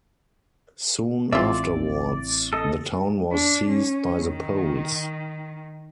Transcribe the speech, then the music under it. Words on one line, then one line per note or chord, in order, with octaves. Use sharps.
Soon afterwards, the town was seized by the Poles.
A1 C4 E4 F4 D5 E5
A4 D#5
D4
C#4
D#3